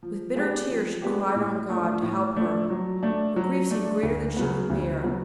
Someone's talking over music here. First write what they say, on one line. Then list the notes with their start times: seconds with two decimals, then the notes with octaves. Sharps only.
With bitter tears she cried on God to help her; her grief seemed greater than she could bear.
0.03 F3
0.35 G#3 B3 D4 G4
0.69 F3
1.02 G#3 B3 D4 G4
1.35 A2
1.70 F3 A3 D4
2.02 A2
2.36 F3 A3 D4
2.70 F#3
3.03 A3 D4
3.36 F#3
3.71 A3 D4
4.03 D2
4.37 C#3 F#3 B3
4.70 D2
5.04 C#3 F#3 B3